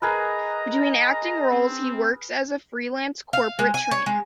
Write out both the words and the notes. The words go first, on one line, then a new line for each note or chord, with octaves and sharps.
Between acting roles he works as a freelance corporate trainer.
G#4 A#4 B4 D#5 A#5
C4
F5
G#3
G#5
C#5
G#3